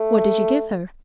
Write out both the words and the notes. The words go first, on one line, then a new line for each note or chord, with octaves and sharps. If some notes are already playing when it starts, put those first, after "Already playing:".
'What did you give her?'
Already playing: A3